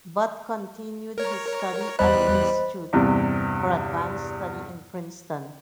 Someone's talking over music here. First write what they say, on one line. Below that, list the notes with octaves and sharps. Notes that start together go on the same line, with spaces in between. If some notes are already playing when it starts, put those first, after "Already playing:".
Bott continued his study at the Institute for Advanced Study in Princeton.
A#4 C#5
E2 G3 C5 D#5 B5 F#6
E2 G2 C3